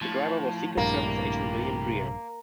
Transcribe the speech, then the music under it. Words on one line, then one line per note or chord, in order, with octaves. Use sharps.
The driver was Secret Service Agent William Greer.
A2 F3
A#1 G2 C3 A#3 D5